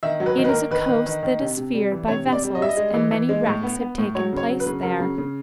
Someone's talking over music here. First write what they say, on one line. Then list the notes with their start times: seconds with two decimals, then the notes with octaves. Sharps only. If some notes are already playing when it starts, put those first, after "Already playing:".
It is a coast that is feared by vessels and many wrecks have taken place there.
0.03 D#3 E5
0.20 F#3
0.26 B4
0.38 D#3
0.44 B4
0.49 A#4
0.54 A#3
0.71 D#3 B4
0.89 D#3
1.06 D#3
1.23 D#3
1.40 C3
1.57 C3
1.74 G3
1.92 E3
2.08 C3 C#5
2.26 C3
2.32 D5
2.44 G3
2.55 D#5
2.61 G3 E5
2.69 D#5
2.77 G#3
2.94 E3
3.11 E3
3.29 G#3
3.46 A2
3.63 B3
3.80 B3
3.98 A2
4.15 F#3 C#5
4.33 C#3 C#5
4.49 F#3
4.60 B4
4.66 C#3
4.83 F#3 A#4
5.00 C#3
5.18 C#3